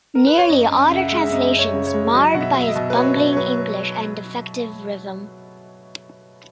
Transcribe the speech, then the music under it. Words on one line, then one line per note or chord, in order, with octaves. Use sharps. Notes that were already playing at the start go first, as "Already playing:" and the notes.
Nearly all the translations marred by his bungling English and defective rhythm.
A#4
B4
C#5
F#2 D#5
F#2
C#3 E5
F#5
G#3 E5
E5
F#2 D#5
F#2
C#5
C#3
C#5
G#3
F#3 D#5
B2 F#5
E5
F#3
E5
D#5
B2
B4
F#3 C#5
B2
C#5
F#3 B4